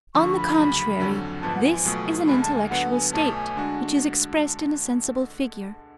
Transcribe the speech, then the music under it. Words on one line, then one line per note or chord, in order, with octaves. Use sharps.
On the contrary, this is an intellectual state which is expressed in a sensible figure.
D2 D3 F3 C#6
B5
D2 C#3 F#3
F2 D3 F#3 C#4
G#1 G#2 F3 B3 A5
F#5
G#5
C#2 B2 F#3 A3 F4
D2 D3 G#3 B5
A5
G#5
F#2 D3 F#3 B3 F#5
G#5
B1 B2 A3 C#4 A5
G#5
D3 G#3 D4 F#4